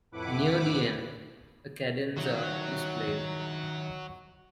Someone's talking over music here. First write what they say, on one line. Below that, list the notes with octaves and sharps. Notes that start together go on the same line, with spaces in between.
Near the end, a cadenza is played.
F2 A2 E4 B4 F#5 D6
D#3 F#3 E4